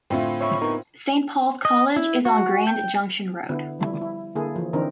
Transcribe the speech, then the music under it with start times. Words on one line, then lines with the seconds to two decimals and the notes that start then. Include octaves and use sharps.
Saint Pauls College is on Grand Junction Road.
0.10 A2 D3 A3 C4 F4
0.41 C#5 E5 B5 C#6
0.61 B3 D#4 A#4
1.65 D#5
1.96 E4
2.25 F#4
2.67 G5
3.49 D3 B3 E4
3.79 F3 G3 E4
4.02 E4
4.35 D3 A#3 E4 G#4 A4
4.56 E3 F3
4.73 D3 E3 C4 D4 D#4 A#4